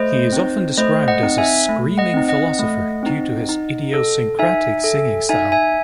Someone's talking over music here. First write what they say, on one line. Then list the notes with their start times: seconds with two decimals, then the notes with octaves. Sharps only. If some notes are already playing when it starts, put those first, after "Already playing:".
He is often described as a "screaming philosopher" due to his idiosyncratic singing style.
Already playing: A3 C5 D#5
0.32 C4 D#4
0.77 A3 C5 D#5
1.08 D#5 F#5
1.23 C4 D#4
1.38 E5 G#5
1.69 A3
1.98 D#5 F#5
2.14 C4 D#4
2.28 D#5 F#5
2.59 A3
3.03 C4 D#4
3.49 D#4
3.94 A4
4.39 D#4 E5 G#5
4.84 A4
5.29 D#4 E5 G#5
5.52 E5 G#5